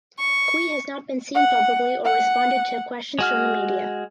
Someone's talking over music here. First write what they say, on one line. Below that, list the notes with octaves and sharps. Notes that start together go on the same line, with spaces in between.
Qui has not been seen publicly or responded to questions from the media.
C#6
F#5
F#5
G#3 F#4 F6